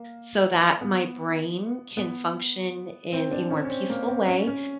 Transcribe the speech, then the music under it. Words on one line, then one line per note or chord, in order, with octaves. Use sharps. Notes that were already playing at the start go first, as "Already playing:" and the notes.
so that my brain can function in a more peaceful way,
Already playing: A#3
B3
B3
C4
D4
C#4
C#4
C4
A#3
C4
C#4
C#4